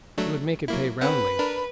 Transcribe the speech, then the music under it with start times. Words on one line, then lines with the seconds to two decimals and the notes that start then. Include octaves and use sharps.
He would make it pay roundly.
0.18 F#3 A3 D4
0.68 F#3 A#3 E4
1.01 C4 C#4 B4 F#5
1.39 D4 A#4